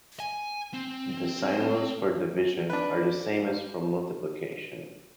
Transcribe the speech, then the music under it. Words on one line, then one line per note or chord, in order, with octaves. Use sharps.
The sign rules for division are the same as for multiplication.
G#5
C4
D4 B4